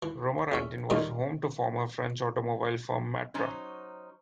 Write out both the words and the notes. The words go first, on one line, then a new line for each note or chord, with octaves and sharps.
Romorantin was home to former French automobile firm Matra.
E3
E2 C#4 E5
D#3 G3 A3 C#4 D#4 F4
F#3 C#4 D#4 C5